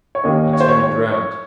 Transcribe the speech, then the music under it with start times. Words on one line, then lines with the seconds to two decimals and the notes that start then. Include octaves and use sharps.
He turned round.
0.15 C#5
0.24 D#2 D#3 A#3 C#4 D#5
0.53 C#5
0.61 C5
0.69 C#5
0.83 C#5
1.12 C#5